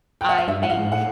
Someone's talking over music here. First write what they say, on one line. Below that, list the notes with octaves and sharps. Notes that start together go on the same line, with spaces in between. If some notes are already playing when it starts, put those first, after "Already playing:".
I think,
G5
F#5
F5
G2 E5
G#2 F#5
F5
G#2
A2 F#5